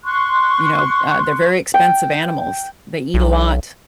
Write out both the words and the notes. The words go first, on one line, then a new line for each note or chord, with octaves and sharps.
You know, uh, they're very expensive animals. They eat a lot,
C6 C#6 F#6
G5
B1